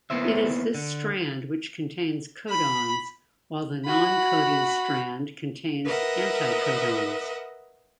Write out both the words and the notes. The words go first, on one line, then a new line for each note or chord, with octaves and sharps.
It is this strand which contains codons, while the non-coding strand contains anticodons.
A#3 B3 E4 C5 E5
D3
B5
F#4 B5
A#4 B4 D#5 E5 F#5